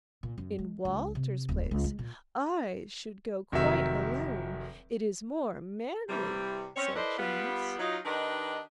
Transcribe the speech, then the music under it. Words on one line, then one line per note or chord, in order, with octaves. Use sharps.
'In Walter's place I should go quite alone, it is more manly,' said Jonas.
A#2
F#2
G#3
C#2
C3
D1
C#2
G#3
A#2
F1 D#3 F#3 E5
C3 E3 G3
C4 C#4 C#5
E4 A4 B4 C5 D5 D#5
G3 B3 F4
F#3 D#4 F4
D#3 D4 D#4 G4 B4 D#5